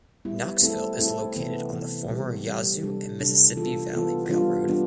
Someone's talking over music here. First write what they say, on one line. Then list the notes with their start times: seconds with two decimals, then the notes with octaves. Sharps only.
Knoxville is located on the former Yazoo and Mississippi Valley Railroad.
0.25 G3 B3 E4
0.62 A3 C4 E4 A4
0.99 A3 C4 E4 A4
1.36 C3 E3 B3
1.72 C3 E3 B3
2.09 B2 G3 C4 G4
2.46 B2 G3 C4 G4
2.83 C3 G3 D4 A4
3.19 C3 G3 D4 A4
3.56 E3 B3 F4 A4
3.93 E3 B3 F4 A4
4.29 E3 G3 B3 D4 F4
4.67 E3 G3 B3 D4 F4